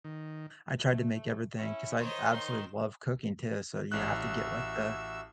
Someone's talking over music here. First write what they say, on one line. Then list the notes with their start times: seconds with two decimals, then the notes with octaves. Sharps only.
I tried to make everything 'cause I absolutely love cooking too, so you have to get, like, the,
0.04 D#3
0.86 A3
1.58 C#4 E4
2.00 D#3 C5 C#5 D#5
2.33 D#4 C6
3.92 A1 F#4 E5 E6 F#6